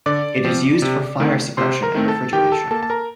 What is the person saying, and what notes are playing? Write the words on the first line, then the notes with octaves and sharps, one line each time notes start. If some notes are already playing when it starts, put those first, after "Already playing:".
It is used for fire suppression and refrigeration.
D3 D5 D6
F3 C4
C3
D#3 A3 C4
C3 C5 C6
A#4 A#5
D#3 A3 C4
A4 A5
D#3 G4 G5
A4 A5
A#3 A4 A5
A5
A#4 A#5